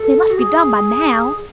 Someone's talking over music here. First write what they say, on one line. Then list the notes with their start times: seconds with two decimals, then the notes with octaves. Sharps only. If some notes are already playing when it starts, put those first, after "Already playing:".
"They must be done by now."
Already playing: A4
0.30 F#4
0.38 G#4